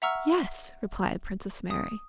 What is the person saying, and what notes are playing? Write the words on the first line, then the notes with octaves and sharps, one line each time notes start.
"Yes," replied Princess Mary.
E5 F#5 A#5 C#6 E6 F6
D#6